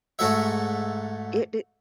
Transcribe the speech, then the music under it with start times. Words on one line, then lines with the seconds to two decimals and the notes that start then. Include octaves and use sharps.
It it
0.19 G#2 A3 F#4 E5